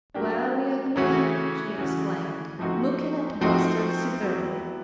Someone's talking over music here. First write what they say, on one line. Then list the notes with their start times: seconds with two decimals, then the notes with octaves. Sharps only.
"Well, young man!" she exclaimed, looking at Buster severely.
0.14 F#3 A#3 D4 G4
0.96 C#3 E3 A3 C#4 F#4
1.78 C#3 E3 A3 C#4 F#4
2.59 F3 A3 C4 D#4 F#4
3.41 F3 A3 C4 D#4 F#4
4.23 F#3 B3 E4 G4